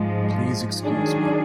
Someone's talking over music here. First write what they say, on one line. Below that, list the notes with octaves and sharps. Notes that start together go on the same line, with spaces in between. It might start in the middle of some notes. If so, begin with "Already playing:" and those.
Please excuse me.
Already playing: G#2 F3 G#3
D#3 F#3 D4 G#4